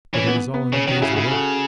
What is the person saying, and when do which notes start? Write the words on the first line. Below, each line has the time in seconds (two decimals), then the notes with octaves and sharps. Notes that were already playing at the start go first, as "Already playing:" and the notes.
But it is all in the day's work.
0.14 E3 C#4
0.27 B3
0.54 B3
0.73 C#3 C#4
0.87 D#3 C#4
0.95 F#4
1.02 C#3 E4 G#4
1.11 F#4
1.16 C#3 E4 G#4
1.31 F#4 A4